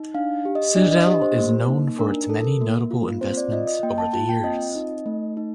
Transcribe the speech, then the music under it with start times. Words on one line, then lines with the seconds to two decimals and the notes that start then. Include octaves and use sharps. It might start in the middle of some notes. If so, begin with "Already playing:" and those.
Citadel is known for its many notable investments over the years.
Already playing: D#4
0.15 D4 F5
0.45 G4
0.55 D#5
0.76 D4 D5
0.91 D#5
1.07 G4 D#5
1.22 C5
1.38 A#3
1.68 D#4
1.99 D4 A#4
2.29 A4
2.61 A#3
2.91 F4
3.21 C4 C5
3.37 D5
3.52 F4 D#5
3.67 D#5
3.83 A#3 G5
3.98 A5
4.14 F4 A5
4.29 G5
4.44 C4 D#5
4.75 D#4
5.06 A3
5.37 D#4